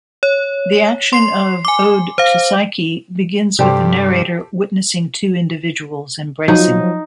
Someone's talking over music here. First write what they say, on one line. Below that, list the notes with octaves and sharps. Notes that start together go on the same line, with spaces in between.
The action of "Ode to Psyche" begins with a narrator witnessing two individuals embracing.
C#5
C6 C7
G#5 D6
C5 F5
G2 C3 G4 A4 C5 D5 G5
F3 F#3 D#4